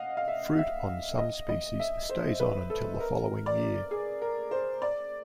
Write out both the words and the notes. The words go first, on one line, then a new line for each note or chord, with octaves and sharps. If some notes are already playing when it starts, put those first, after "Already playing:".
Fruit on some species stays on until the following year.
Already playing: D#5 F5 F#5
F5
E5
E5
D#5
D#5
E5
C5
B4
A4
A#4
D5
G#4
A#4
C5
D5